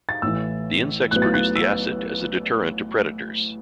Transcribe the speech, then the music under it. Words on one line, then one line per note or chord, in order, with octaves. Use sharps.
The insects produce the acid as a deterrent to predators.
A6
A1 A2 E3 E6
A1 A2 F#3 B3 F#6
A6
F#6
E6